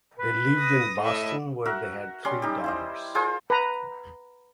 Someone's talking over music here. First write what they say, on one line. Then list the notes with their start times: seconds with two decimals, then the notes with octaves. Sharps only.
They lived in Boston where they had three daughters.
0.19 B4
0.58 D#6 A#6
0.99 A2 D#5 E5
1.65 F#4 A#4 E5 F#5
2.25 G3 C#4 C6
2.42 D#4 G4
2.64 E4 C5 D#5
3.15 F4 G#4 A#4 C5
3.50 B4 A#5